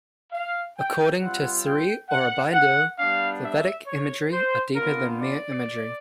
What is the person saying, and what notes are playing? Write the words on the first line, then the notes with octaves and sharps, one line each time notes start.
According to Sri Aurobindo, the vedic imagery are deeper than mere imagery.
F5
G5
G3 C4 F4 F#5
G5
F#5
F#5
G3 B3 D4 F5
E5
C#5
C5
B3 D4 F4 A#4
D5